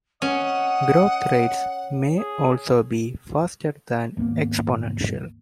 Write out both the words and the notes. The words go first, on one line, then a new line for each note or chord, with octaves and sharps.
Growth rates may also be faster than exponential.
C#4 D#5 F#5
G#4
G#1 D#2 A#3 B3